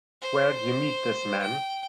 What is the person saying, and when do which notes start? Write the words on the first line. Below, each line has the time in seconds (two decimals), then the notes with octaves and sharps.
Where'd you meet this man?
0.22 C5
1.41 G5